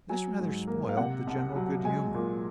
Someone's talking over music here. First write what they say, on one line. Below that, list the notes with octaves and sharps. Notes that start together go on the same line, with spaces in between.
This rather spoiled the general good humor.
F#3 G#5
G#2
A#3
F5
C3 F#5
C2
F#3
G#3 G#5
A#2